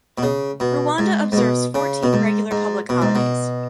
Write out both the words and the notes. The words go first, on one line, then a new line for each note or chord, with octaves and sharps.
Rwanda observes fourteen regular public holidays.
B2
C#3
B2
G#2
G#2
B2
C#3
B2
G#2
G#2
B2
G#2
B2